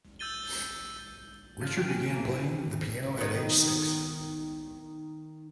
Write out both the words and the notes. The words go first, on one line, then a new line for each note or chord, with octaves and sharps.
Richard began playing the piano at age six.
E6 G6 A6 D#7 G7
F3 F4
C#3 G4 A#4 G5
C#4 G5 G#5
A2 C3 A#3
D#3 E4
D#3 B3